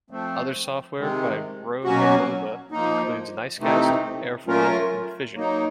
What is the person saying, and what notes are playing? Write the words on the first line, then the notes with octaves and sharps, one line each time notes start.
Other software by Rogue Amoeba includes Nicecast, Airfoil, and Fission.
F3 A3 C4
C3 D#3 G#3
B2 F#3 A#3 C#4 F#4
F3 A#3 D#4
C3 E3 A3 C4 D#4
F#3 A3 C#4 F4 A#4
F#3 A#3 D#4